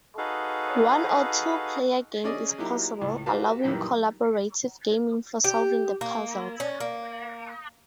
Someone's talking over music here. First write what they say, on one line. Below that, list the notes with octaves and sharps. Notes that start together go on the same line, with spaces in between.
One or two-player game is possible, allowing collaborative gaming for solving the puzzles.
D#4 F#4 G#4 A4 B4 F5
C#4 G#4 D5 D#5
F#3 A#3 D#4 E4 G4
C#2 A2
F#4 G4 B4 F5 A5
F#2 A#2 D#3 E3 G3
G4
A#3
C#4
A#3